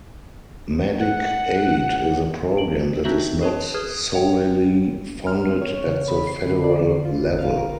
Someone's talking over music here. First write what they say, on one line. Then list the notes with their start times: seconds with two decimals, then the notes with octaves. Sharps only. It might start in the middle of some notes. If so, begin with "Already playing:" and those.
Medicaid is a program that is not solely funded at the federal level.
0.99 F#5
2.57 D7 F#7
3.04 C4 D4 D#4 F#4 E5 F#7
3.41 G#4 B4 C#5 A5
3.74 G#4 B4 D#6 F6 G#6
4.14 C#5 F#5 G5
5.27 F6
5.48 C4
5.62 C#5
5.87 C#3
6.08 B5
6.27 C7
6.44 D3
6.64 D5
7.05 F4
7.23 G#1
7.39 F5
7.57 A#4